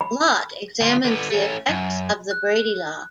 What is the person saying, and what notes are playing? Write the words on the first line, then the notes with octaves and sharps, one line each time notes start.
Lott examines the effects of the Brady law.
B5
D2 F4
D3 B3
A3 C#4
F#2
F#6